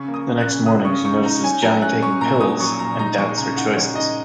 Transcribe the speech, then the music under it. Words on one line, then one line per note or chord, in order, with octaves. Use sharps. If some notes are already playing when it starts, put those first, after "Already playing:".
The next morning, she notices Johnny taking pills and doubts her choices.
Already playing: C#3 C#6
A#3
D#6
A#3
F#6
C#3
C#3 D#6
C#3 C#6
D#4 C#6
D#4 A#5
C#4 G#5
F#3 A#5
C#4 F#6
C#4 C#6
A#2 A#5
A#2 D#6
F#3 C#6
A#2 A#5
D#4 A#5
G#3 C#6
C#3 A#5
D#4 F#5
G#3 C#5
D#4 D#5